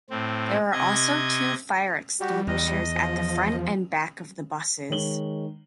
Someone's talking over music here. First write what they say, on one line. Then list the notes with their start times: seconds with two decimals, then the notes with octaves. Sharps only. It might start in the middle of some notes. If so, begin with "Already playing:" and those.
There are also two fire extinguishers at the front and back of the buses.
0.10 A2 C4
0.73 C3 D#5 G#6
2.21 G3 F#4 G4
2.48 E2 D#5
2.95 F3
4.90 D#3 G#3 C#5 F#7 G7